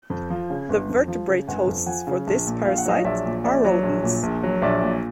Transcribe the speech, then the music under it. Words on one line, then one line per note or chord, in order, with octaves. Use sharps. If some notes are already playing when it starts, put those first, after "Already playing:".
The vertebrate hosts for this parasite are rodents.
F2
F3
C#3
G1
F2
F3
C#3
G1 F#5 G#5
F2
F3 F#5 G#5
C#3
A#1
A#2
A#1 F5
F#5
F#3 D#5 F5
A#1 D5 E5
A#2
A#1 D5 E5
F#3
A#1
A#2
A#1
F#3
A#1 D5 E5
A#2